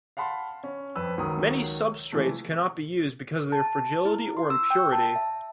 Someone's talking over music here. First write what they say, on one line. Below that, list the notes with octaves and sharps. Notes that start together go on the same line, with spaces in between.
Many substrates cannot be used because of their fragility or impurity.
F5 F#5 A5 B5 C6
C#4
F2 C4 B4 E6
C#2 D#3 F#3 C#4 A#4 D#6
C3 E3 F3 G#3 A3
A5
E4
C6
E6
G5
A5
E5